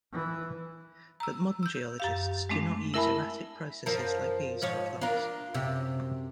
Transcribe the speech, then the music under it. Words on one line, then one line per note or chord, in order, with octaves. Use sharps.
But modern geologists do not use erratic processes like these for clocks.
E3
A#5 E6
E6 G6
F#2 G4 F5
G#3 A3 C4 D4
E4 A#4 E5 G#5 A5 B5
F#2 F3 A#4
G#2 F3 C#5
D4 F4 A#4
F#2 C3 G4